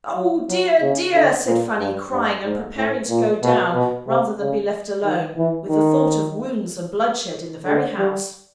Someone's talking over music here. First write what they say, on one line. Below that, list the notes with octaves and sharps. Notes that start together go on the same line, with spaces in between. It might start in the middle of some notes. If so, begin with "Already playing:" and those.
'Oh, dear, dear!' said Fanny, crying, and preparing to go down rather than be left alone, with the thought of wounds and bloodshed in the very house.
F#3
F#3
C#3
D3
A#2
G2
G2
G#2
A2
A#2
B2
B2
C3
C#3
D#3
E3
D#3
D3
G3